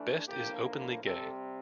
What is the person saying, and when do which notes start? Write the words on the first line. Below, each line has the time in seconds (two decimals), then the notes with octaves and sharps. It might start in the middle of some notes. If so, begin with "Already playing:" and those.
Best is openly gay.
Already playing: E3 A3 D4
0.26 A2 F3 A#3 D4 G4
1.03 C3 G3 C4 A4